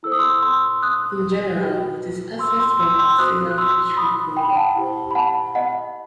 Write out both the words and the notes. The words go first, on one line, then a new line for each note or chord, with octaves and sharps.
In general it is accessed from wasilla fishhook road.
E4 A4 C5 E6
D#6
C6 E6
C6 E6
D#6 F#6
F#4 B4
C6 E6
C6 E6
C6 E6
C6 E6
F#4 C5 D#6 F#6
F#6
C6 E6
B5 D#6
G5 B5
F#5 A5
E4 G4 C5
B5
F#5 A5
D#5 F#5